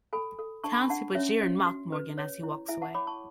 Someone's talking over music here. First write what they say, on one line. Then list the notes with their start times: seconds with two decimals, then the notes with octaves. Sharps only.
Townspeople jeer and mock Morgan as he walks away.
0.13 A4 G#5 B5
0.39 A4
0.64 D4 A5 C#6
0.72 B5
0.77 A5 C#6
0.89 D4 F#5 A5
1.15 C#4 C#5 E5
1.41 C#4
1.66 F#4
1.92 B4
2.18 C#5
2.43 E4
2.68 E4 E5 G#5
2.82 F#5 A5
2.95 C#5 B5 D6
3.07 A5 C#6